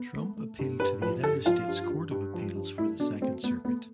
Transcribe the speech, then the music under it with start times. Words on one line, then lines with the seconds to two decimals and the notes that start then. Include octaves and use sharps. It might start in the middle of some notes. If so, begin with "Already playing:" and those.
Trump appealed to the United States Court of Appeals for the Second Circuit.
Already playing: B3
0.15 A3
0.37 A3
0.59 G2
0.80 G2 B4
1.02 F3 B4
1.23 G2 A4
1.45 F3 F4
1.68 G2
1.90 G2
2.11 G2
2.34 F3
2.55 G2
2.78 A3 E4
2.99 B2 D4
3.21 A3 C4
3.43 A3 B3
3.64 A3 B3